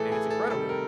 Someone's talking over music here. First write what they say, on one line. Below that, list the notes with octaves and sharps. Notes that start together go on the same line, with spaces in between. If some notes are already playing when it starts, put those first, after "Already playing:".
And it's incredible.
Already playing: A2 E3 A3 G#4 A4
G#4
A4
C3 D#3 G3 A4
A#4